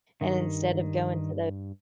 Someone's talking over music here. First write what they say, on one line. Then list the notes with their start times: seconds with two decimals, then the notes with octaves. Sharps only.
and instead of going to the
0.21 G2 D#3